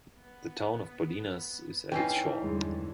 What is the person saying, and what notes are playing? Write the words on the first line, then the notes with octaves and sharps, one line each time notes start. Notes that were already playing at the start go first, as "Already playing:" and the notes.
The town of Bolinas is at its shore.
B3
E3 C#4 D#4 G5 G#5 C7
E2 G2 D3 G#3